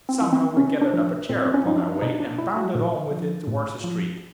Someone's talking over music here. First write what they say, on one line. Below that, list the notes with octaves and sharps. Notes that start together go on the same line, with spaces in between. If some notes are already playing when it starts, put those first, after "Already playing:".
Somehow we gathered up a chair upon our way, and bounded on with it towards the street.
C4
E3
C4
C3 C#4
D4
F3
A#2 C4
C4
C#4
F3 D#4
D4
D4
B2 D#4
D4
E4
F#4
A#2
F3
A2
F3